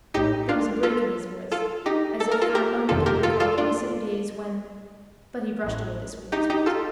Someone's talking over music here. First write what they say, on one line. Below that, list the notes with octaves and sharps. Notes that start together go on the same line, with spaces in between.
There was a break in his voice, as if for a moment he recalled innocent days when--but he brushed away this weakness with his hook.
A#1 A2 D#4 G4
D4 F4
F4 A4
F4 A4
D#4 G4
A4
A#4
F4 A4
G4 A#4
G1 F2 C3 D#3 F4 A4
G4 A#4
F4 A4
F4 A4
D4 F4
A1 A2
D#4 G4
D#4 G4
F4 A4